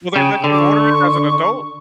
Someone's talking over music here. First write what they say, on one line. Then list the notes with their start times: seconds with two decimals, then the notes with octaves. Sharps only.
Will they let you order it as an adult?
0.16 C#3 G5
0.44 D3
0.51 D6
0.59 C#6